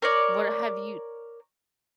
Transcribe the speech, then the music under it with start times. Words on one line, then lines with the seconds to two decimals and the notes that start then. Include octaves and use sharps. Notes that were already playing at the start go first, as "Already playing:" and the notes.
What have you
0.02 A#4 C#5 D5